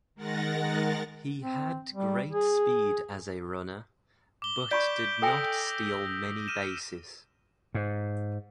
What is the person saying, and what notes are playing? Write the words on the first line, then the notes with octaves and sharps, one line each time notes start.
He had great speed as a runner, but did not steal many bases.
D#3 G#3 A#4 F#5 A6 A#6
C4
G3
G#4
D6 G7
D5 B5 C#6 G6 B6 D7
A4 G5 G#5 D#6 E6 A#6
F6 D#7 E7
G#2